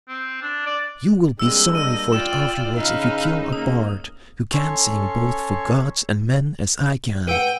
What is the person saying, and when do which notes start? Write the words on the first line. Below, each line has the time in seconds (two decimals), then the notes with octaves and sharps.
You will be sorry for it afterwards if you kill a bard who can sing both for gods and men as I can.
0.08 C4
0.42 D4
0.66 D5
1.39 G3 G#3 A#3 C4 D4 E6
1.75 D#5 E6 D#7
2.13 F4 D5 G5 E7
2.77 C#3 D#4 B4 F5
3.53 A#3 D#6
4.53 C#4 A4 C#5 C6 C#6
7.27 B4 F#5 G5 E6 D7 D#7